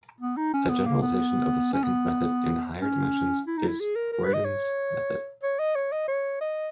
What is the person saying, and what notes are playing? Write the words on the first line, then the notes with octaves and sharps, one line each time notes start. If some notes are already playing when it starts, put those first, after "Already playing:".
A generalization of the secant method in higher dimensions is Broyden's method.
B3
D#4
C#4
B3
A#3
B3
C#4
B3
C#4
E4
D#4
E4
G#4
A#4
A#4
B4
D#5
C#5
C#5
D#5
C#5
D#5
C#5
D#5